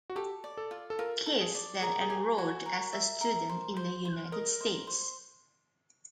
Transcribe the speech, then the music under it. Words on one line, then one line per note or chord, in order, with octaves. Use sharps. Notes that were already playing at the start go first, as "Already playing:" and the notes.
Kiss then enrolled as a student in the United States.
F#4
G4 A4
D5
A4
F4
A4
F4 A#4
A4
G#4
D5
G#4 A#4
G#4
G4 G#5
F#4 G#5
A#4
E5
A#4
C5
C5
C5
A#4 D#5
C5
C5